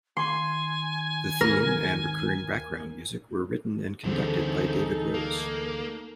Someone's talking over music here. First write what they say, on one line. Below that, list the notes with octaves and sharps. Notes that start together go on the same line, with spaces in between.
The theme and recurring background music were written and conducted by David Rose.
D#3 G#5 C6
D#2 G#2 A#4
D2 D3 E3 G3 C4 D#4 G#4 A4
A#3